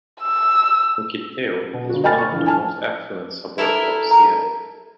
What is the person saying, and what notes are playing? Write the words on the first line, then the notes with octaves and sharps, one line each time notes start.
Mukilteo is one of the most affluent suburbs of Seattle.
E6
B2
G1 F#4
D#5 G5 G#5 B5 F6 A6
C#6
A#1 E3
G#5 A5 F6
E4 A4 A#4
A#5